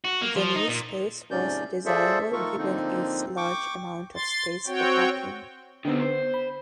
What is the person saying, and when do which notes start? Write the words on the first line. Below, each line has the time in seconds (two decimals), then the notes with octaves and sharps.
The new space was desirable given its large amount of space for parking.
0.05 F#4
0.22 A#3
0.36 F3
0.55 D#4
0.69 A#2
1.31 G#2 C3 F3 C#4 D5 G6
1.86 F4 G#4 A4 C5 D5 E5
2.33 D#3 A3 F4 A4 A#4 C#6
2.58 D3 F3 A#3 C4 D#4
3.37 G5 C#6 D6
4.15 C6 A6
4.67 C4 F#4 C#5 G5
5.85 D3 D#3 B3 C4
6.00 C5
6.34 B5